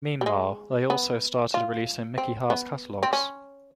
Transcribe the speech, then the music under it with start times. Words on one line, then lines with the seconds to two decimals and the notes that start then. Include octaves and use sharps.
Meanwhile, they also started releasing Mickey Hart's catalogs.
0.21 G3
0.26 G#3
0.90 B3
1.54 F4
2.18 C4
2.50 B3
3.03 C4
3.13 C#4